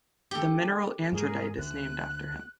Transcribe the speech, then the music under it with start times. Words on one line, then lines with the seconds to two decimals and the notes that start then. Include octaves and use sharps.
The mineral andradite is named after him.
0.31 G4 A4
1.13 G#2 G#4 A#4
1.58 D2 F#6